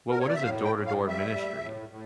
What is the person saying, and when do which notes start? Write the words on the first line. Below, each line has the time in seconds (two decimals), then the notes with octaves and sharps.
well, what is a door-to-door ministry?
0.11 A#4
0.20 C#5
0.28 D5
0.35 E5
0.43 A2 F5
0.65 G5
0.72 A2
0.86 F5
1.01 G3
1.08 E5
1.30 G3
1.59 A2
1.89 A2